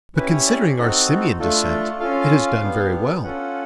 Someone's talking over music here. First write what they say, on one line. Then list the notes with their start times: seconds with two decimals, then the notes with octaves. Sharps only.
But considering our simian descent, it has done very well.
0.16 C#4 E4 G4 B4
0.31 C#5
0.47 D5
0.77 C4 D#4 F#4 A4
1.39 A3 D4 F4 A4
2.00 C#4 F4 A4 F5
2.62 B3 D4 G4
3.24 C#4 F4 A4 F#5